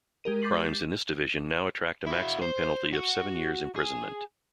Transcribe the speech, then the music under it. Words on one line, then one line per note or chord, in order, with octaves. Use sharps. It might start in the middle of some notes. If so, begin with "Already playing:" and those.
Crimes in this division now attract a maximum penalty of seven years' imprisonment.
G#3 G4 A#4 D#7
D6 G6 A6 B6 C7 F#7
E4 F#4
C5
F#4
G#4